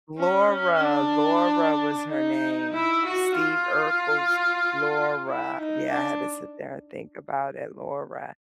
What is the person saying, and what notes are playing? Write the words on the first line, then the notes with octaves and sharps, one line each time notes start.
Laura, Laura was her name. Steve Urkel's Laura yeah, I had to sit there and think about it. Laura.
C#4
C#4
D4
D#4
E4
F#4
F4
E4
D#4
D4